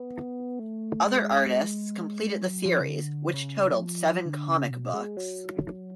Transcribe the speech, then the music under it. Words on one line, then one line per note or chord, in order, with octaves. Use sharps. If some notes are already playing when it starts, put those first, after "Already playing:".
Other artists completed the series, which totaled seven comic books.
Already playing: B3
A3
G#3
F#3
F3
C#3
D3
C#3
F#3
F3
D3
C#3
B2
G#3
F#3